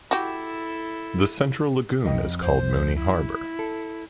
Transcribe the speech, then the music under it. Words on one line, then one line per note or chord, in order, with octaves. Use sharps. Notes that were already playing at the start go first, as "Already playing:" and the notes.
The central lagoon is called Mooney Harbor.
E4 F#4 G4 A4
F2 D#5 G5
C5
E4
A4